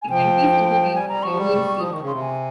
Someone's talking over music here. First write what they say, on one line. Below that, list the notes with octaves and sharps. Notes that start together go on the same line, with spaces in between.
It empties into the Ionian Sea.
G#5
F3 G5
G3 G#5
G3 A#5
F3 C#6
G3
F3 D#6
D#3 C#6
C#3
C3 C6
G#5